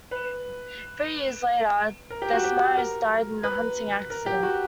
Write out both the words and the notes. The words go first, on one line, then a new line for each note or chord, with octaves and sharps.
Three years later Desmares died in a hunting accident.
B4
A#4
G4
F#4
G4
A#4
B4
A#4
G4
F#4